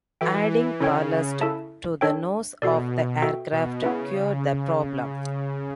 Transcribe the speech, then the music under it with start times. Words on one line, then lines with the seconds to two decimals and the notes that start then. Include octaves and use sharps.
Adding ballast to the nose of the aircraft cured the problem.
0.21 E3 F#4 A4 E5 G5
0.50 E3
0.80 C#3 E4 A4 C#5 G5
1.41 E4 A4 E5 A5
2.01 D4 A4 C#5 G5
2.62 B2 F#4 A4 D5
3.22 F#4 A4 E5 G5
3.52 B2
3.83 C#3 B3 E4 B4 E5